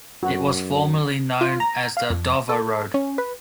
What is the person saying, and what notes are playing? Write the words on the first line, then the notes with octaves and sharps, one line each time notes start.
It was formerly known as the Dover Road.
F#2 F#4
F4
A#5
F5
F2
A4
C#4
B4